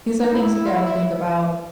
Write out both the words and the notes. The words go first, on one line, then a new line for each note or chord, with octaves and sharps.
these are things you gotta think about.
D#4
E4
E4
E4
F4
E4
E4